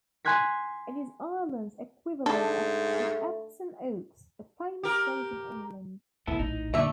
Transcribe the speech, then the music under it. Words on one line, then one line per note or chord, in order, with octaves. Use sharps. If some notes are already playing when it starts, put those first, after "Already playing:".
It is Ireland's equivalent of the Epsom Oaks, a famous race in England.
G#5 C6 F#6 G#6 B6
G#2 A3 D4 A4
G4 A#4
D2 A2 B3 E4 A4
A#1 D#4 E4
F2 A#2 D3 A3 D#4 D5 E5